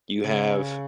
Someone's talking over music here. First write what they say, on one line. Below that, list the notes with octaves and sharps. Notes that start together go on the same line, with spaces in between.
you have
C#3